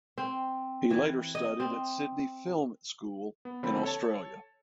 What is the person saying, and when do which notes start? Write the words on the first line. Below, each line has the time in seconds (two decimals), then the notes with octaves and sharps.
He later studied at Sydney Film School in Australia.
0.18 C4
0.91 E3
1.35 D#5
1.60 C4
3.45 B3
3.63 D3 F3 A#3 C4 B5
3.83 A4 C#5 A5